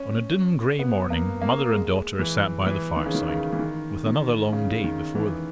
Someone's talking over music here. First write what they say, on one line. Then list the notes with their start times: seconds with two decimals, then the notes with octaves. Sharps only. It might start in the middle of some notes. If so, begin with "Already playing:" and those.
On a dim gray morning, mother and daughter sat by the fireside, with another long day before them.
Already playing: C#4
0.79 B3
1.10 A#3
1.42 A#3
1.72 G#3
2.19 E3
2.66 E3
2.97 D#3
3.06 C#3
3.14 D#3
3.28 C#3
3.53 E3
3.59 D#3
4.06 D#3
4.53 C#3
4.84 D#3
5.15 E3